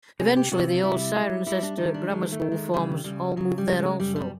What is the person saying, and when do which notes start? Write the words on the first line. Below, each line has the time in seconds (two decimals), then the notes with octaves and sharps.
Eventually the old Cirencester Grammar School forms all moved there, also.
0.19 C3 G#4
0.36 G4
0.52 C3 F#4
0.68 F4
0.83 G3 E4
1.15 G3
1.46 G3 E4
1.63 D4
1.78 D#3 D#4
1.94 D4
2.10 D#3 G#3
2.32 A3
2.42 D#3
2.52 G#3
2.74 C#3 G3
3.04 C#3 G3
3.36 C#3 F#3
3.58 G3
3.68 C#3
3.79 G#3
4.00 F#2 G3
4.16 G3